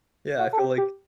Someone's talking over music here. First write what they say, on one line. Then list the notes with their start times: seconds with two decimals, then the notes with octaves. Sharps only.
Yeah, I feel, like,
0.39 F#4
0.53 A4
0.59 G4
0.78 G4